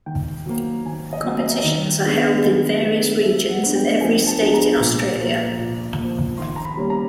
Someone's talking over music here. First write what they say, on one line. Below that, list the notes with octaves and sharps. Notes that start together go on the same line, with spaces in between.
Competitions are held in various regions of every state in Australia.
D#3 G5
F#3 A#3
D#3 G#5
D#5
F#3 A#3
D#5
E5
D#5
D#3
G#3 B3 D4
D#3
G#3 B3 D4
F3 E5
F#5
G#3 B3 D4
G5
F3 G#5
A5
G#3 B3 D4
A#5
A#2
F3 A#3
A#2
A#3
F3
D#3 C6
A#5
B5
G3 A#3 C#4
A#5